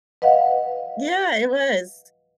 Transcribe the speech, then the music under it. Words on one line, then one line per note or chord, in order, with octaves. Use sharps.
Yeah, it was.
B4 D#5 F5 F#5